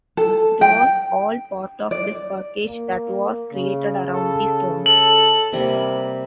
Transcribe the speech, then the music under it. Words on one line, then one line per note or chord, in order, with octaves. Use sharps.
It was all part of this package that was created around the Stones.
A4
G5
D5
A#3
C#3
A4
A4 F#7
C3 G3 A#3 B5